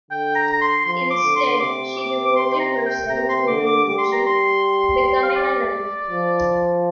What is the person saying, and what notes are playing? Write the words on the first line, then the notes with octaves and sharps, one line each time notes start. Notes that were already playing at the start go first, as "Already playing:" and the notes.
Instead, she devoted herself to her religion, becoming a nun.
D3 G5
A#5
A#5
C6
F3 C6
D6
D3
C6
C3 D6
D6
D6
C6
C6
A#5
G5
C3 A#5
C6
D3 D6
D6
G3 D6
C6
A#5
C6
F5
D5
F3